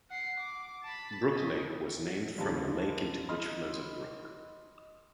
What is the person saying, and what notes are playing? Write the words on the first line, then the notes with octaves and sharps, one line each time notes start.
Brook Lake was named from a lake into which flows a brook.
F#5 C7
D6
A5 B5
D#5
F#1 D#2 G3 A5
D#5 B5 C6 F6